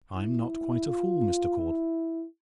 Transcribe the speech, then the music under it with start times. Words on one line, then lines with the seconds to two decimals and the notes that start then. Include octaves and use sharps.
I'm not quite a fool, Mr. Caudle.
0.16 E4
0.87 F4
1.58 E4